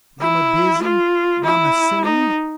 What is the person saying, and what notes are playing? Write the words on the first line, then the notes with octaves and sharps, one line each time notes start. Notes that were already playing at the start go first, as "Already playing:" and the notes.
"Mama busy; mama sing."
E4
F4
E4
D#4